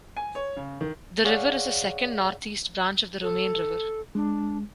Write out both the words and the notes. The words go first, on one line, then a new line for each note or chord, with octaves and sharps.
The river is the second northeast branch of the Romaine River.
G#5
C#5
C#3
D#3
G#4 C#5 D5 F5 F#5
A4
G#3 D4